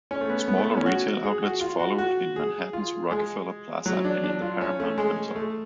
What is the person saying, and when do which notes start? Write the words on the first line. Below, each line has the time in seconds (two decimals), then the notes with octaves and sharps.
Smaller retail outlets followed in Manhattan's Rockefeller Plaza and in the Paramount Hotel.
0.11 C#4
0.21 A3
0.29 B3
0.48 B3
0.58 A3
0.67 B3
0.77 C#4
0.86 F#4
1.23 G#4
1.42 F#4
1.61 F4
1.79 F#4
1.98 F#4
2.36 G#4
2.73 F4
3.11 G#3
3.86 F#3
4.05 D4
4.24 D4
4.42 F4
4.61 C#4
4.80 A3
4.98 G#3
5.36 A3